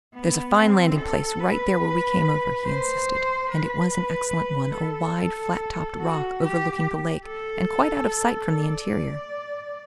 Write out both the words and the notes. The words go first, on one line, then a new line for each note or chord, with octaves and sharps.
"There's a fine landing place right there where we came over," he insisted, and it was an excellent one--a wide, flat-topped rock, overlooking the lake, and quite out of sight from the interior.
B3
C4
A4
B4
C5
B4
B4
A4
F#4
G4
A4
D5